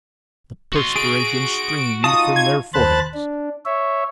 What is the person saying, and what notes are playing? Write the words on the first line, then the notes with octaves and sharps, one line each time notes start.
The perspiration streamed from their foreheads.
F#4 C6
G#4 D7
D#4 F4 A5 D#6
G#6
D#2 C5 A5 B5 F#6 A6
D4
C#5 E5